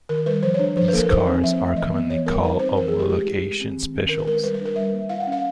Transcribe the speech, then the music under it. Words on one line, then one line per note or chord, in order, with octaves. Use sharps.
These cars are commonly called "homologation specials".
D#3 A#4
G3 B4
F3 C5
C#5
D4
F3 C5
A#3 A4 B4
A#4
D#4 C5
C4
F3 E5
A3
E3 D#5
B3
E3 C#5
G3 A#4
D#4 B4
C4 C5
E3 A#4
A3 G#4
G4
G#3 G4
E4
G#3
C4
D#3
C#4
D#3 A#4
B4
G#3 A#4
G3 B4
B4
D4
A#4
G3 E5
A#3
E4 F5
F#5
C#4
F5